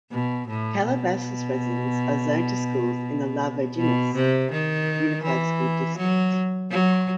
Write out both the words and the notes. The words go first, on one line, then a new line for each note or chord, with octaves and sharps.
Calabasas residents are zoned to schools in the Las Virgenes Unified School District.
B2
A2
B2
B2
C3
D#3
E3
F#3
F#3